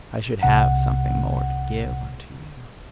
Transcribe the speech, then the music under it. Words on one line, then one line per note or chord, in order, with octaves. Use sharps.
I should have something more to give unto you!
C2 C3 F#5